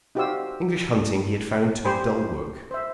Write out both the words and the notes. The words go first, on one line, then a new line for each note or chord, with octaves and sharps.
English hunting he had found to be dull work.
D#4 F#4 G4 C5 F5 E6
G4 C5 G#5 B5
C5 E5